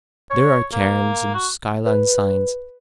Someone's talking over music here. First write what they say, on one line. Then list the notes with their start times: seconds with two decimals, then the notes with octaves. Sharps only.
There are cairns and skyline signs.
0.30 C#5
0.73 A#3
1.34 F#4
1.86 B4